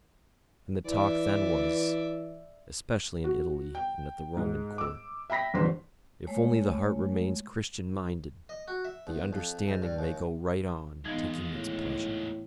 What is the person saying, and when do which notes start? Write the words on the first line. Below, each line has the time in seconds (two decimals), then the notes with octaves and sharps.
And the talk then was, especially in Italy and at the Roman court, "If only the heart remains Christian-minded, the understanding may go right on taking its pleasure."
0.86 E3 D5 E5
3.24 F#4
3.75 G5
4.37 G#2
4.78 D6 E6
5.30 E5 G5 B5 A#6 B6
5.54 A1 E2 G2 D3 C5 C6
6.27 G#3 A3 C#5
8.49 D#5
8.68 F#4
8.85 E5
9.07 E2
9.33 F2
9.68 G#2
9.82 G2
9.99 D#2
11.06 D#2 E3 F3 G#3 B3 D#4
11.51 A2